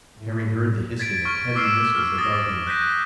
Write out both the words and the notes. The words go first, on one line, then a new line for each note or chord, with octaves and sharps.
Harry heard the hissing of heavy missiles above him.
A2
G#6 A6 B6 D7
C#6 F6 D7
D6 E6 F6 C7 D7 E7
F6
D#6 E6 A6 A#6
F#6 G6 A#6 B6 D#7